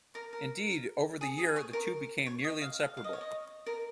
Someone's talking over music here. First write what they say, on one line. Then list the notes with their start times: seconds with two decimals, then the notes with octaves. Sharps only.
Indeed over the year the two became nearly inseparable.
0.15 A#4
0.33 A#4
1.21 G#4
1.38 G#4
1.56 C#5
1.73 A#4
2.26 C#5
2.44 D#5
2.62 F5
2.79 F5
2.97 F5
3.04 D#5
3.13 C#5
3.21 D#5
3.66 A#4